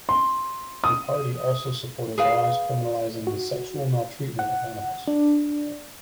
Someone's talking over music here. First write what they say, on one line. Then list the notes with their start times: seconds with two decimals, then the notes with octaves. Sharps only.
The party also supported laws criminalizing the "sexual maltreatment" of animals.
0.09 C6
0.84 D#6
2.18 G#4 B4 F5
3.27 F#4
4.39 F#5
5.08 D4